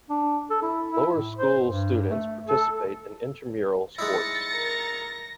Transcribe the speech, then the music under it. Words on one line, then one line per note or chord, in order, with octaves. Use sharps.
Lower school students participate in intramural sports.
D4
A4
E4
E4
A2
C5
G2
A3
A4
G#3 D#4 E4 A6 A#6 C#7
A#4